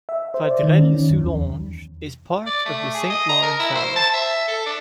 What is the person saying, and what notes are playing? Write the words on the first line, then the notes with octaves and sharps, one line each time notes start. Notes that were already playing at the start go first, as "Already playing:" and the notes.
Vaudreuil-Soulanges is part of the Saint Lawrence Valley.
E5
C5
D5
D#3
C#4
D#3
F#2
E2
D5
A3
G#4
D#5
A#5
A#4
E4
C5
A5
E5
A4
D4